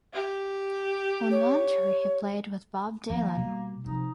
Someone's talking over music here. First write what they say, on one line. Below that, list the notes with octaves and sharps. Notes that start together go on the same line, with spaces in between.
On one tour he played with Bob Dylan.
G4
C#5
D#3 F3 A#3
B2 G3
C3 F3 D#4